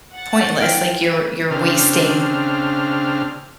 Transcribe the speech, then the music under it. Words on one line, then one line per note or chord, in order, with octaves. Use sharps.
pointless. Like, you're you're wasting
F#5 A6
F3 E4 G5 F6 D7
C#3 C4 D4 F6